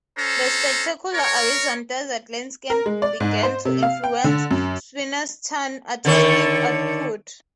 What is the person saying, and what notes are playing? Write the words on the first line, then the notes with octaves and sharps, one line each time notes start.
The spectacular Arizona desert landscape began to influence Swinnerton's artistic output.
C#4 A4 C5 A#5
A#4 C#5
A#4
G#3
D5
G#2
C5
C3
F5
G5
D3
F#2
D3 D#3 C#5